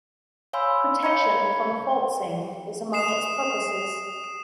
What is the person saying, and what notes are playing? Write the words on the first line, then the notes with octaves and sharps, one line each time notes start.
Protection from falsing is among its purposes.
C#5 F5 G#5 B5 C6 E6
C#5 F5 B5 C#6 G#6 C#7
D#6 C7 E7